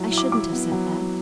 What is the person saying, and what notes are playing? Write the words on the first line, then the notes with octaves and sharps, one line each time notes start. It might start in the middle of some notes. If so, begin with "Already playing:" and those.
I shouldn't have said that.
Already playing: F#3 E4
E4
D6
E4 D6
B3
F#3